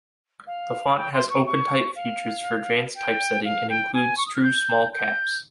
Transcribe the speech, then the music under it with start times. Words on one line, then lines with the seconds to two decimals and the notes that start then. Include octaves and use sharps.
The font has OpenType features for advanced typesetting and includes true small caps.
0.47 F5
0.96 G5
1.13 C6
1.29 C#6
1.46 C#6
1.95 F5
2.95 G5
3.44 F5
3.69 G5
3.94 G#5
4.17 C#6
4.26 D#6
4.34 F6
4.43 G6
4.93 G6